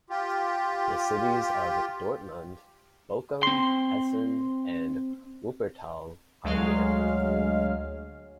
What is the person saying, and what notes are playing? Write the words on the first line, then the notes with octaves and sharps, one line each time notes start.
The Cities of Dortmund, Bochum, Essen and Wuppertal are near.
F4 G4
C4 C6
D2 F#3 G#3 F5